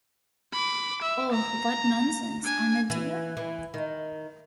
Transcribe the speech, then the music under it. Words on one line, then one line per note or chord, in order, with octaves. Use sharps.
Oh, what nonsense, Ahmed dear!
B5 D6
E5
A#5
D4 G#5
E3
E3
D#3